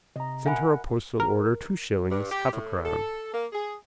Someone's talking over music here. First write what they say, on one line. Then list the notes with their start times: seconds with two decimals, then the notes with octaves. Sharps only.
Send her a postal order two shillings, half a crown.
0.16 C3 D#5 A#5
0.46 A#4 E5 F#5 G#5 B5
1.20 A#4
2.09 G2
2.30 G4
2.51 A2
2.84 A4
3.32 A#3
3.52 G#4